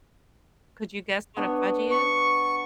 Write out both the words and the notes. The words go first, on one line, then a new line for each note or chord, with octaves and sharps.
Could you guess what a "fudgy"
B3 D4 C#5
C#6